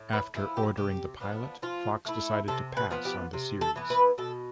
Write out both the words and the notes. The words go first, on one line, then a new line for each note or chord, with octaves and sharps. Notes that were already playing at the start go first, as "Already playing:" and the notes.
After ordering the pilot Fox decided to pass on the series.
Already playing: A2
B4
F3 B3 E4 F4
G4
C3 G4
F3 B3 D4
F3 F4
A3 E4
C3 A4
B4
F3 B3
G4
C3
A4
E3 B3
B4
B2 A4